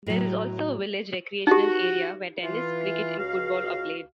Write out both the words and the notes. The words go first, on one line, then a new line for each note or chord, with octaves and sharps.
There is also a village recreational area where tennis, cricket and football are played.
A2 F#3
D#4 F#4 G4
E3 F4
C#2 F#4 F5